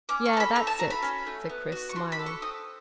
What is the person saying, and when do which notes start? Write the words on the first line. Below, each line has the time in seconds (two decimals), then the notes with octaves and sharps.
"Yea, that's it," said Chris, smiling.
0.09 C#4 D6
0.25 C#6
0.33 A4 A#5
0.40 B5
0.55 A3 A#5
0.67 A5
0.79 F#4 A#5
0.90 B5
1.02 C#4
1.27 A3
1.49 B3
1.72 F#4
1.89 C#6
1.95 D4 C6
2.12 B5
2.19 A4
2.26 C#6
2.42 C4 D#6